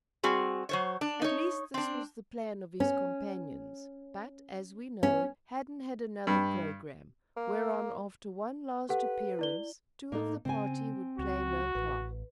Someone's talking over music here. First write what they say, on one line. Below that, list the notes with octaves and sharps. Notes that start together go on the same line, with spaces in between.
At least this was the plan of his companions; but, as we know, Hadden had another programme, whereon after one last appearance two of the party would play no part.
G3 C4 F#4 G#4
F#3 C5 C#5
D4
D#4 C#5
C4 D4
C#4
C#4
G2
A#3
G4 A4 B4 F#5
E4 D5 G7
A2 A#3 D#4 A4
C#3 C4 G#5
C#2 F#4
A1 B4